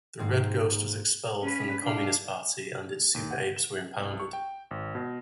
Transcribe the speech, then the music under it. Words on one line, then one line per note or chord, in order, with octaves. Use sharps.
The Red Ghost was expelled from the Communist Party and his Super-Apes were impounded.
G#2 D#3 A#3 C4
C#4 B4
D4 F5
D#2
F#5
E7
C2
C#6
G5
G#1
B2